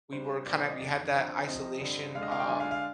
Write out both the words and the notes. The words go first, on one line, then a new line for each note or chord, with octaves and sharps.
we were kinda we had that isolation, um,
C3 G3 D4 C5
A#2 F3 C4 D5
D#5
F2 D#3 A#3 D4 D5
D3 F3 C4
C3 F3 C4 D#5
G2 D3 G3 C4
D3 G#3 D4 F5
D#5
F5
G5
D3 G#3 D4 G#5
F5
F5